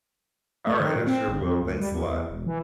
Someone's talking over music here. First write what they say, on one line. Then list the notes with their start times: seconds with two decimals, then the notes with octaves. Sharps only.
Alright, I sure will, thanks a lot.
0.67 A3
0.80 D#3
0.95 A#2
1.07 C4
1.28 G1
1.42 F2
1.63 D2
1.80 G3
1.92 E2
2.07 E2
2.30 E1
2.46 E3